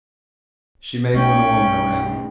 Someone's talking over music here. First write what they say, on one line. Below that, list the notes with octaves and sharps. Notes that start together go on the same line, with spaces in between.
She may want a woman around.
B1 A3 C#4 G5